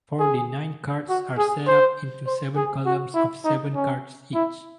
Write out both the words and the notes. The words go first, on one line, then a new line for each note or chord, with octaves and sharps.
Forty-nine cards are set up into seven columns of seven cards each.
G#4
F#4
G#4
C5
C5
G#4
F#4
E4
D#4
C#4
E4